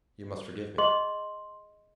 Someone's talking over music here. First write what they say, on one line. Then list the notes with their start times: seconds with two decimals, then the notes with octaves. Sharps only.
You must forgive me.
0.78 G#4 D#5 C6 F#7